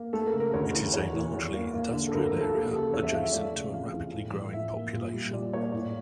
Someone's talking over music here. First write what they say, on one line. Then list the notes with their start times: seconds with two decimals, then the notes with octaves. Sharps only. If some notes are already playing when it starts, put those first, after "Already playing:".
It is a largely industrial area adjacent to a rapidly growing population.
Already playing: A#3
0.13 A3 A4
0.27 A#4
0.33 C#3
0.40 A#4
0.54 D2 C#5
0.67 A#4
0.74 E3
0.94 E2 C#5
1.13 E3
1.34 E2
1.53 A#3
1.74 A#3
1.93 D3
2.08 A4
2.13 D2 A#4
2.26 A#4
2.33 F3
2.40 A4
2.53 A#3 G4
2.73 C#3 A4
2.93 E2 C#5
3.03 E5
3.13 F3 F5
3.23 E5
3.33 A3 D5
3.53 C#3
3.73 F2 F5
3.93 E3
4.13 A2
4.34 F3
4.53 A2 E5
4.73 A#3
4.93 A#2
5.13 G3
5.33 A#2 D5
5.53 A#3 C#5
5.72 A2 D5